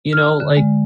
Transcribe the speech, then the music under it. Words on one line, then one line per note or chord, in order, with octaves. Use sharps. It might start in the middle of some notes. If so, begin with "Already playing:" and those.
you know, like
F6
D3
G#3